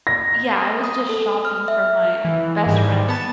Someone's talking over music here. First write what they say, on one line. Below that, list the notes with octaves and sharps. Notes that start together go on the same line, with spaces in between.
yeah. I was just shopping for my best friend's
A#6
D#6
A4
F6
E5
E3
G#2 D#3 G3
B3 A5 A6 E7